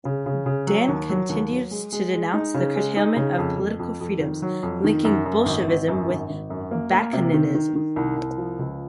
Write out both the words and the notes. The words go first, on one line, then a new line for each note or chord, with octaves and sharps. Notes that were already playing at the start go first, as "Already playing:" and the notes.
Dan continued to denounce the curtailment of political freedoms, linking Bolshevism with Bakuninism.
C#3
C#3
C#3
F#3
D#2
F#3
D#2
F#3
G#3
G#3
G#3
D#4
C#3
G#3
D#4
C#3
F2
F2
F2
F2
D#3
F#3
F2
D#3
F#2
F#2
G#1
G#1
F#2
G#1
G#1
F#2
A#3
A#3
C3
D#3
D#3
D#3
C2
C2
F3
C#2